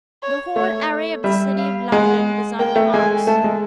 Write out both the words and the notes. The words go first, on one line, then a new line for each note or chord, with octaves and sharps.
The whole array of the City of London was under arms.
C#5
A3 C#5
G3 E5
F5
G#3 F#5
A#3 G5
A3
G#3 G#5
A3 A5
G#3